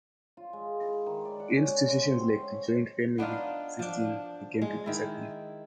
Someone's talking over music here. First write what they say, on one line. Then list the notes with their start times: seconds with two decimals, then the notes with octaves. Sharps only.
Institutions like the joint family system began to disappear.
0.37 F4
0.53 G#3
0.81 E4
1.06 D#3
1.25 D5
1.40 F#5
1.56 C#4
1.88 C6
2.05 C5
2.20 C4
2.35 C#5
3.18 B3 D4 D#4 F4
3.79 F3 D4
4.62 G#3
4.86 D#3 E4